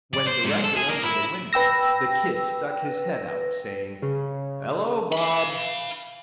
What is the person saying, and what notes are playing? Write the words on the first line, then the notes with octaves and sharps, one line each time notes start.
When directly under the window, the "Kid" stuck his head out, saying: "Hello, Bob!"
D5
C5
G#2
A4
G#4
A#3
E4
B4 G5 E6 A#6
C#3
F5 B5